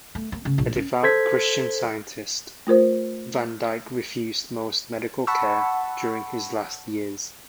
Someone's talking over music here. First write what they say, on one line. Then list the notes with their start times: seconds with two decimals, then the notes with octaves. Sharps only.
A devout Christian Scientist, Van Dyke refused most medical care during his last years.
0.15 A3
0.32 A#3
0.45 C#3
0.58 A#1
0.76 C#4
1.03 A4 C5 G#6 B6
2.67 A3 F4 A#4 C5
5.27 F#5 A5 B5 C#6 E6